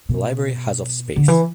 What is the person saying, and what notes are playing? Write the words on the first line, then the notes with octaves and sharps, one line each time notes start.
The library has of space.
B2
D3
E3